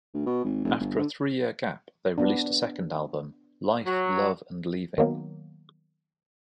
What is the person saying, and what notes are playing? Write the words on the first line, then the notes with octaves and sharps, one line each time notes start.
After a three-year gap, they released a second album, "Life, Love and Leaving".
D2
B2
G#1
F1
G1
D3
B3 D4
F#3
D#3 F#3 A#3 B3